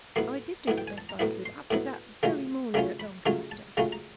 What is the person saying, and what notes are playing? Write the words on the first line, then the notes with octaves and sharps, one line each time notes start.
I did do the best I could up to that very morning at Doncaster.
A2 F#3 B3 E4 C6
A2 F#3 B3 E4
G5
G#5
A5
A#5
A2 F#3 B3 E4 B5
C6
A2 F#3 B3 E4
C#3 F#3 A3 C#4 F4
C#3 F#3 A3 C#4 F4 B5
B5
C#3 F#3 A3 C#4 F4 A#5
A5
C#3 F#3 A3 C#4 F4 A#5
A#5